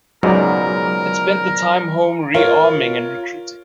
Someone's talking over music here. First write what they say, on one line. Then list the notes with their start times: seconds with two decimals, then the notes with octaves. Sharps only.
It spent the time home re-arming and recruiting.
0.23 C#2 G#2 B2 F#3 A#4 D5
2.34 F4 A#4 C#5